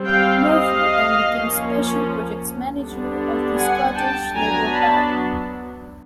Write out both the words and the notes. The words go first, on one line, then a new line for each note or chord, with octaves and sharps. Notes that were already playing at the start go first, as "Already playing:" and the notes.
Murphy then became Special Projects Manager of the Scottish Labour Party.
Already playing: G3 C4
F5 G5
D#5 F5
F3 A#3 C#4
D3 G3 B3 D4
F#5 G#5
G5 A5
F#3 B3 D4 G#5 A#5
A5 B5